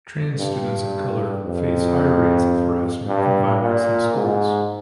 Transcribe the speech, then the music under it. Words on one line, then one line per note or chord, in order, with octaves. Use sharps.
Trans students of color face higher rates of harassment and violence in schools.
G2
F2
G2
A#2
G#2